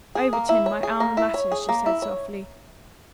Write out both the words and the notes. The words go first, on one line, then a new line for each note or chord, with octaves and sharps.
"Overton, my Alma Mater," she said softly.
G#4
A#3
E4
C#5
G#4
A#3
E4
C#5
G#4
A#3
E4
C#5